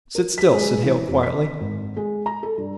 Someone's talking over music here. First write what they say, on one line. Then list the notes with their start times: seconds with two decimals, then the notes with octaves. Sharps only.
"Sit still," said Hale, quietly.
0.15 A#4
0.38 B6
0.53 G#3
0.83 E3
1.08 F1
1.23 B6
1.60 G#1
1.97 G#3
2.26 A#5
2.43 A4
2.58 G2